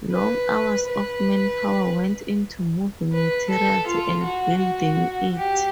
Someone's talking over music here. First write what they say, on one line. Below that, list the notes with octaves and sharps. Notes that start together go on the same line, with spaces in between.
Long hours of manpower went into moving materials and building it.
B4
B4
B4
A4
F4
F#4
G4